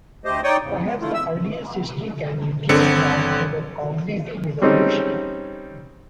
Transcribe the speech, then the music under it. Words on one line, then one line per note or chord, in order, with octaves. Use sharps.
Perhaps the earliest history can be traced back to the cognitive revolution.
D2 A3 G4 C5 D#5
D#4 C#5 D5 G5 C#6 D#6
E2 G#2 C#3
G#3 B3
D3 A3 E4 F4
E5 E6
G1 D3 C4 C#7
G3 C4 C#4 D#4 G#4 A4